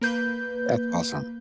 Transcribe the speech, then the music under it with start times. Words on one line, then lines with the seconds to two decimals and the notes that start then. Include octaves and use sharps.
That's awesome.
0.01 A#3 B4 G6